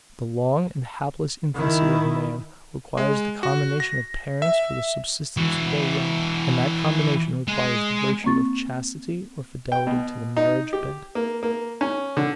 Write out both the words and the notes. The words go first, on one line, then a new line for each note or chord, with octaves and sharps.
The long and helpless infancy of man requires the combination of parents for the subsistence of their young; and that combination requires the virtue of chastity or fidelity to the marriage bed.
D#3 E4
G#3
F#4
A#6
E5
E3 F#4
G#3
A#3 C4 C#6 A6
G5
B2
D#4
G4
A#3
A#3
C#4
D3